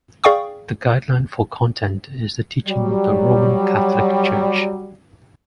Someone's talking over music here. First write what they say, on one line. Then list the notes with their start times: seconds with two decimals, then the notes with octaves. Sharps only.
The guideline for content is the teaching of the Roman Catholic Church.
0.24 G#4 D5 F5 G5 C#6 D#6
2.67 F#3 G3